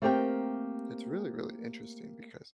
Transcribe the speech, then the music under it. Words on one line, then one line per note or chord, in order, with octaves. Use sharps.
it's really, really interesting because,
A3 A#3 C4 G4 A#4 G5